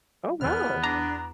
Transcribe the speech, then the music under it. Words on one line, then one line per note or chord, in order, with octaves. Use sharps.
Oh, wow.
E2 B3 F6
D4 A#5